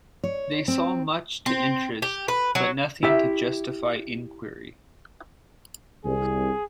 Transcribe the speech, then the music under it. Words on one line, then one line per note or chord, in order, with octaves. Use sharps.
They saw much to interest, but nothing to justify inquiry.
C#5
C4
C4
G4
B4
F#3
E4 G4 E5
C2 G#4